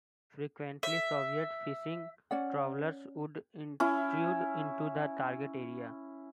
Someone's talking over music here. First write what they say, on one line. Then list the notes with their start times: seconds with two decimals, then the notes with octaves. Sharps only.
Frequently, Soviet "fishing trawlers" would intrude into the target area.
0.83 E5
2.31 C#4 D5 F#5
3.80 C#4 E4